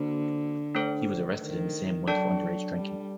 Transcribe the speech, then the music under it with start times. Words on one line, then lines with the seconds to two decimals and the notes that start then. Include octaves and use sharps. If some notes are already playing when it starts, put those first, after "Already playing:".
He was arrested in the same month for underage drinking.
Already playing: D3 A#3 F#4 C5
0.75 A3 D4 A4 C5
1.41 D#3
2.07 F#3 D4 A4 D5 A5
2.74 G3